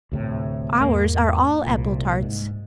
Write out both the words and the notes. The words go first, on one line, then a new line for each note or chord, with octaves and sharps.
Ours are all apple-tarts.
D2 A2 C3
E2 G#2 A#3
C2 A#2
G#2